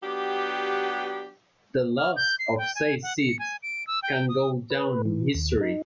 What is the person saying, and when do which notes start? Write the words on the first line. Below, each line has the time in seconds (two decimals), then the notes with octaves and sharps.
The loss of safe seats can go down in history.
0.03 F#3 B3 D4 G4
1.98 F6
2.16 G6
2.39 C7
2.57 G5
2.75 G#5
3.03 F#5
3.19 C#7
3.39 G#5
3.63 D7
3.87 E6
4.02 G5
4.29 D#6
4.70 B4
5.05 E3
5.35 D#2
5.61 D#4